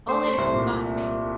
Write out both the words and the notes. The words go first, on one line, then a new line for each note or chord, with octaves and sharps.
All in if he spots me.
A3 C5
A3
C2 C5
A#2